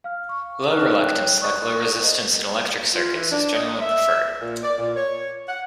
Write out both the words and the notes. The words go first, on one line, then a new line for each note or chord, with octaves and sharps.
Low reluctance, like low resistance in electric circuits, is generally preferred.
F5 F6
C#6
D#4 B4 F6 F#6
C#5 G5 F#6
D5 C#6 D#6 F#6 A6
C5 D#5
F4
E3
D4
D#5
E5
A#2
D5
A#2
C#5
F#5